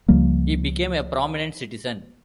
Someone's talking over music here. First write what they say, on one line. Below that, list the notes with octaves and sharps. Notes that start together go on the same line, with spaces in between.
He became a prominent citizen.
C#2 F3 G3 A#3